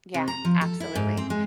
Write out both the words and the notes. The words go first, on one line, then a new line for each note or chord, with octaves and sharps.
Yeah, absolutely.
C3
A#5
F3
A4
E4
G#2
C4
G#3